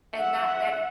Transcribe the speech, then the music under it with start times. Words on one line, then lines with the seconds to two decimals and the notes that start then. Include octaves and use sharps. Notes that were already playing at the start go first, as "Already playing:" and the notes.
And that and
0.17 E5 F#5